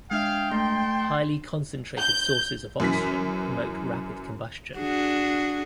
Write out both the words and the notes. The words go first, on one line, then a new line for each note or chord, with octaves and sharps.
Highly concentrated sources of oxygen promote rapid combustion.
G#3 D4 G#4 E5 F5 G5
A3 A5 C6
G6
F#2 E3 B6
D4 F#4 G#4